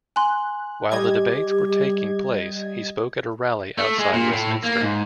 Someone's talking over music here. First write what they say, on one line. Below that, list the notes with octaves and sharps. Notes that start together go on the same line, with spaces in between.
While the debates were taking place he spoke at a rally outside Westminster.
G#5 C6 F#6
G3 G4 D#5 G#6
A3
G#3
A#2
A2
A#3
G#2